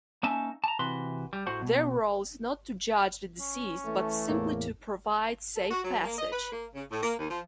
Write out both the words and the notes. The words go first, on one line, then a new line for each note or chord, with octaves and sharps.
Their role is not to judge the deceased, but simply to provide safe passage.
A#3 C#4 D#4 E5 G#5 A5
A5 A#5
C3 E3 F#4 B4 C6
G3
A2 F#4 C5 F#5
B2
C#4
E3 A3
E2 A2 A#3
A4
F#4
F#3
A#3
D#5
B4
A#3
C#3
A2
A#3
D#2
F3